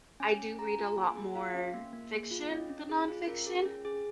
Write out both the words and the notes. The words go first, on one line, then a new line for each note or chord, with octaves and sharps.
I do read a lot more fiction than nonfiction,
C#4 G#5
C#4
G#4 A#5
F4
A#3 G#5
G#4
F4 F5
C#4
A#3
A#3
G#4
F4
C#4 D#5
C#4
G#4
F4
C#4 A#4
G#4
C#4
G#4